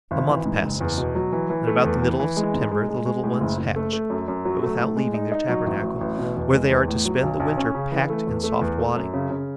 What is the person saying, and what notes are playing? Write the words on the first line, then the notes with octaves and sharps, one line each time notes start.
A month passes and, about the middle of September, the little ones hatch, but without leaving their tabernacle, where they are to spend the winter packed in soft wadding.
G#1
E3
G#2
F#1
E2
B2
F#3
E3
E3
A3
E2
E3
E3
G#3
G#2
G#3
G#3
G#3
A2
F#1
F#1
A3
A3
F#2
F#2
F#3
A3
A2
G#3
D#4
D#4
F#3
A1
F#3
A1
B2
E2
G#3
E2
A2
F#3
B1
B1
C#4
C#3
E3
A3
E2
A3
E2
A3
F#2
C#3
C#3